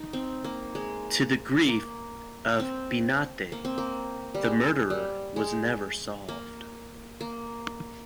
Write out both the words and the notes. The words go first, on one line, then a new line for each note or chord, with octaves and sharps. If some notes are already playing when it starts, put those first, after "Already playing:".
To the grief of Benante, the murder was never solved.
Already playing: D#4
C4
A#3
G#3
A#3
C4
A#3
C4
A#3
G3
G#3
G3
G#3
A#3
A#3